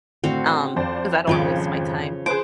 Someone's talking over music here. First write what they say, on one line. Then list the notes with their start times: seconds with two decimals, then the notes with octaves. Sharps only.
um, because I don't want to waste my time.
0.24 A2 D3 C4 F#4 F5
0.76 F2 C5 D5
1.27 G#1 F2 C#3 F3 D6
2.26 G#4 B4 C5 D6